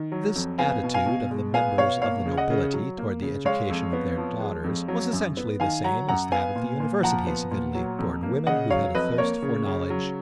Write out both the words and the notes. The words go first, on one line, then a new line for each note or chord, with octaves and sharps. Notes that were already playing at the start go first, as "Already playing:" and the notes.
This attitude of the members of the nobility toward the education of their daughters was essentially the same as that of the universities of Italy toward women who had a thirst for knowledge.
Already playing: D#3
F#3
F2
B3 F5 G#5
B2
F5 G#5
B2
G#3
B3 F5 G#5
B2 C#5 F5
A#3 C#5 F5
C#3
D#5 F#5
C#3
F#3
A#3
C#3
G#3 C#5 F5
F2
B3
F3
G#3
F2
F#3
F#2
B3
D#3 F5 G#5
F#3 F#5 A#5
F#2 F#5 A#5
B3 F5 G#5
A#2
A#2
F3 F#5 A#5
B3
A#2
F#3
F2
A#3
C#3 D#5 F#5
F#3 C#5 F5
F2 B4 D#5
A#3 A#4 C#5
C#3
C#3
F#3